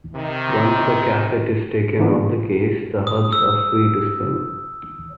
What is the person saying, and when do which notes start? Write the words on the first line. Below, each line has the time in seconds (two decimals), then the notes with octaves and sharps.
Once the cassette is taken off the case, the hubs are free to spin.
0.15 C3 D#3
1.99 D3 E3 F3 A#3 B3 D4
3.07 D#6
3.32 E6